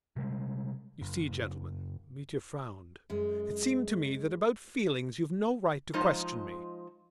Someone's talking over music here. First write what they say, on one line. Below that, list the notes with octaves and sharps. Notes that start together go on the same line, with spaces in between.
You see, gentlemen"--Mitya frowned--"it seems to me that about feelings you've no right to question me.
C3 G3 G#3
F#1
F#2 G#3
F3 G#3 D#4 F4 C5 D#5